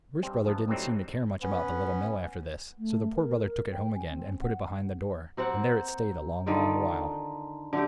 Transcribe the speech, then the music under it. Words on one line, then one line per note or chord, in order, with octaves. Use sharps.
The Rich Brother didn't seem to care much about the Little Mill after this, so the Poor Brother took it home again and put it behind the door; and there it stayed a long, long while.
G2 G3 C4
F#2 F3 B3 A5
A2 E3 F#3 G3 C4 D#4
B3 C#4 B4
A3
A#4
G5
G#5
C4
F#5
A#3 C4 C5 F#5
D3 D#3 F4 D5
D3 A3 G4